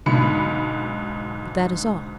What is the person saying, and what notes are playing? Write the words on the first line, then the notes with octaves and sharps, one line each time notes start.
But that is all.
B1 G#2 D3 B5 C#7